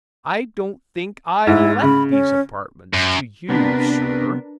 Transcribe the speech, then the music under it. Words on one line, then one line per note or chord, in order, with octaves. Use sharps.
I don't think I let these apartments to you, Sir.'
G#2 E4
C#3 B5
C#4
F#2
C3 B3 D4 A#4 B4